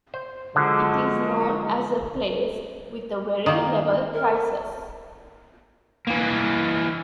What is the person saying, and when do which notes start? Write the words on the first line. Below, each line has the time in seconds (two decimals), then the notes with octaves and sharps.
It is known as a place with a very level prices.
0.14 C5
0.56 D3 F3 F#3 G#3
3.46 D#3 A#3
4.14 A#4
6.07 E3 A#3